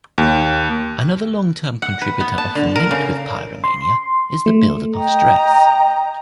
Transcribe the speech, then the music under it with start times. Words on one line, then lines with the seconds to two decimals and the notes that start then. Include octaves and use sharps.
Another long term contributor often linked with pyromania is the buildup of stress.
0.18 D#2
1.82 F#5
2.02 B4
2.21 B3
2.38 A5
2.55 D3
2.76 A#4
2.91 C#3
3.64 C6
4.46 A3
4.97 D#5 G5 A#5